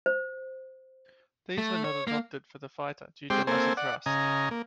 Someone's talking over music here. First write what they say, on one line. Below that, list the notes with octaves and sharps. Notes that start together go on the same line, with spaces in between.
These were not adopted for the fighter due to loss of thrust.
C5
A3
C#5
A#3
G#3 C4 G4 G5 C6 D6
A#3 C4 A4 C5 G#5
D5 F#5
C#3 D#5 G#5 A#5
A#3